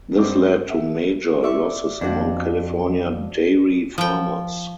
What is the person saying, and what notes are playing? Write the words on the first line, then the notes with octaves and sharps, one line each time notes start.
This led to major losses among California dairy farmers.
G2 G#3 C4 D4 D6
A#4 E5
D5 E5 C#6
F2 D4 F#4
F3 G5